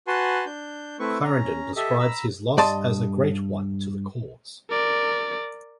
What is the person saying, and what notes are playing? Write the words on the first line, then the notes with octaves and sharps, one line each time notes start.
Clarendon describes his loss as a great one to the cause.
F#4 B4 F#5 G#5 A5 C6
D4 G6
A3 C4 E4 B4 C#6
C#4 A#5
G4 A4 D#5 E5
A#5 B5 E6
G2 D5 D#5 A5 C6
A#4 D5